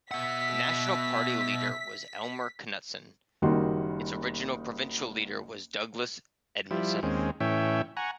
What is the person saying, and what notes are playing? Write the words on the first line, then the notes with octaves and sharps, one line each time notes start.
The national party leader was Elmer Knutson; its original provincial leader was Douglas Edmondson.
B2 E5 F#5 B6
F#1 D#3 G3 F#4 C6
F3 G3 E4
D#2 G#3 C4 C#4
A2 E3 C#4 C#5 E5 G5
F#5 G#5 A#5 C#6